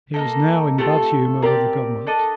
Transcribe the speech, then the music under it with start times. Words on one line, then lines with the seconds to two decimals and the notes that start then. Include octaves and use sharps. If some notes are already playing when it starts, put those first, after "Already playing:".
He was now in bad humour with the government.
0.14 A#3 D#4 A4
0.78 A3 C4 F4 G4 A4
1.42 C4 G4 A#4 D5 A5
2.07 D4 A4 D#5